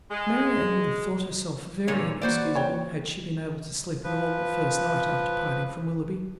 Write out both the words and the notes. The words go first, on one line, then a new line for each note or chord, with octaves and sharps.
Marianne would have thought herself very inexcusable had she been able to sleep at all the first night after parting from Willoughby.
G#3
A#2 D3 C#5
E3 A#3 F#4 C5 D5
C#5 G5
F3 B4